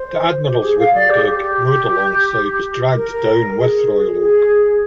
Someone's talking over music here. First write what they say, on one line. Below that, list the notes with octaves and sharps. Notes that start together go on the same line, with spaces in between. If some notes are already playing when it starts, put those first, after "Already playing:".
The admiral's wooden gig, moored alongside, was dragged down with "Royal Oak".
Already playing: C5
G4
G#4
F5
D5
G4
G#4
G4
A#4
G#4
G#4